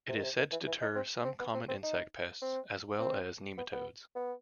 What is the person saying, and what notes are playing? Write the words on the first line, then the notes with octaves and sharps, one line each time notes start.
It is said to deter some common insect pests, as well as nematodes.
C3
D#3
C3
D#3
E3
E3
D#4
C4
C4
B3
C4
C4
D#4
C4
C4
B3
B3
B3